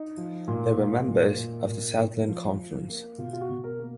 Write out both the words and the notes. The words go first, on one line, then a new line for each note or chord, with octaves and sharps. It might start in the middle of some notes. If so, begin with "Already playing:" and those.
They were members of the Southland Conference.
Already playing: D#4
F3
A#2
A#2
A#2
A#2
A#2
A#2
F3
F3
A#3
B2 F4
F4
F#4
B2
A#4
A#3